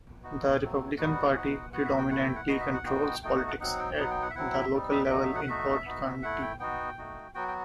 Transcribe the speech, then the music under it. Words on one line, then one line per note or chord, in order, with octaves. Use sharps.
The Republican Party predominantly controls politics at the local level in Holt County.
B3 D#4 F#4
F#3 A3 C4
G3 B3 D#4 F#4 F#5
B3 D#4 F#4
B3 F#4 F#5
E5
G5
A3 E4 F#5
G5
F#5
B3 D#4 F#4 D#5
E5
F#5
B3 D#4 F#4 G5
A3 D#4 F#4 G5
F#5
F#5
F#3 C4 D#4 F#5
G5
F#3 B3 D#4 F#5
G5
F#5
E5
F#3 C4 E4 F#5
E5
G3 C4 D#4
E5
E5
F#3 A3 D#4 D#5
E5
F#5
A3 D#4 F#4 E5
B3 D#4 F#4
A3 E4 F#5
G5
B3 D#4 F#4 G5
A3 D#4 F#4
F#3 B3 F#4 G5
G5